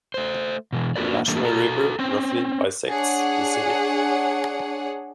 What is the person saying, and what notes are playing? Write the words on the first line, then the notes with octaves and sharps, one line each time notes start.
The Nashua River roughly bisects the city.
A3 C5
B2 E3
A#3 D4 F#4 A#4 B4 D5
E3 G3 A3 A#3 D4 E4
F#4 A4 A#5
C4 C#4 C5
D4 G#4 C#5 F#5